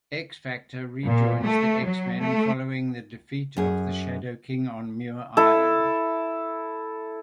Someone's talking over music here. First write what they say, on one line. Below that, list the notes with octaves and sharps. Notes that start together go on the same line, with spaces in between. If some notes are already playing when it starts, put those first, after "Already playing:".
X-Factor rejoins the X-Men following the defeat of the Shadow King on Muir Island.
A#2
A3
F#3
A3
F#2 G#4
E4 A4